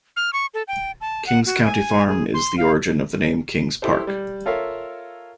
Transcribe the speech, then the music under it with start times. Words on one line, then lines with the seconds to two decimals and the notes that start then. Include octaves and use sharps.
Kings County Farm is the origin of the name Kings Park.
0.16 F6
0.33 C#6
0.54 A4
0.68 G5
1.01 A5
1.27 F#5
1.46 F#4
1.64 G#5
2.07 G#4
2.34 C6
2.58 F5
3.82 E4 G4 A4 C5
4.07 G3
4.46 F4 A4 A#4 C#5 E5 F5